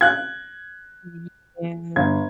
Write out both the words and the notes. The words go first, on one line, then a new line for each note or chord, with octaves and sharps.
Mm. Yeah.
F#6 G#6
G1 G#6